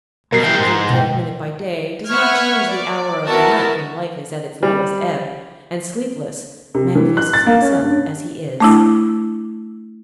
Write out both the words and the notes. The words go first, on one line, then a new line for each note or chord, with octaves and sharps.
Refusal to admit it by day does not change the hour of the night when life is at its lowest ebb, and, sleepless, man faces himself as he is.
B2 A#4 C7
E3 G5
G#2
B2 G5
B4 E5 F#5 C#6 F6 G#6
D5
B3 E4 F#4 A#4 E5 A5
G3
C3
E3
F#6
A6
A#3
C#4
G2
A3 D4 E4